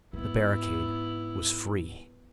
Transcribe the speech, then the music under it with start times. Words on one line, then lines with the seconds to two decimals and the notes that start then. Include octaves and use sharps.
The barricade was free.
0.13 G#2 B3 E4